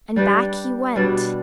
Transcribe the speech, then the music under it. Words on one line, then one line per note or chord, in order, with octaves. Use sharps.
And back he went.
G3 D4 G4 B4
B2 G3 D4